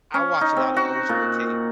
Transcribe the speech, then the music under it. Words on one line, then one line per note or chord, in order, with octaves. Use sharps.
I watch a lotta old school tape.
C#4
D#4
C4
F#4
A#2